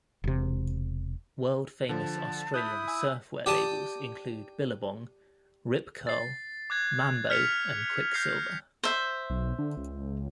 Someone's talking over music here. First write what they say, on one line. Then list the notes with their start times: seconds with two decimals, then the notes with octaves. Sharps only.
World-famous Australian surfwear labels include Billabong, Rip Curl, Mambo and Quiksilver.
0.24 E1 C3
1.89 D3 F3 A5
2.54 E4 D#6 F#6 G6 B6
2.88 G#5 E6
3.46 G4 D5 G5 A5 D#6
6.07 A6 C7
6.70 D6 F#6 G#6 A6
7.30 F6 B6 C#7 F7
8.14 F6 G6 A#6 C7
8.83 C5 E5
9.30 B1
9.58 D3
9.77 C#2